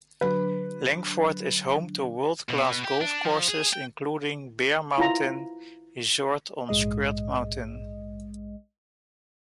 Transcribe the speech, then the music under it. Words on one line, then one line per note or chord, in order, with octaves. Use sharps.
Langford is home to world-class golf courses including Bear Mountain Resort on Skirt Mountain.
D3 F#3 D4 B4
B2
G4
D4
F3
G#4
G5
E4 F4 A#5
A#1 G#2 G#3 D#5